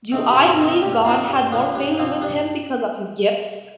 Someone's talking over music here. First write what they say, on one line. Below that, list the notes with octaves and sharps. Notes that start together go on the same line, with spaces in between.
Do I believe God had more favor with him because of his gifts?
D#3 A3 C4
G4
G2 A4
A#4
D#3 A3 C4
A#4
G2 G4
D#3 A3 C4 F4
G2
F3 A#3 D4
G2 D4
F3 A#3 C4
G2 D4